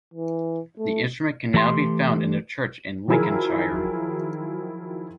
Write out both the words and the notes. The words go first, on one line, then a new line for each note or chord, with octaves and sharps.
The instrument can now be found in a church in Lincolnshire.
E3
A3
E3 A3 G4 A#5 C6
D#3 F3 F#3 E4 G#4 A#4